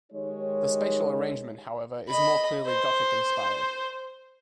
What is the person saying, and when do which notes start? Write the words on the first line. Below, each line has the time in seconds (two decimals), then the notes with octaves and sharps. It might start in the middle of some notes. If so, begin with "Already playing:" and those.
The spatial arrangement, however, is more clearly Gothic-inspired.
0.12 D#3 G#3 D#4 G4 C#5
2.09 D#5 B5
2.66 C5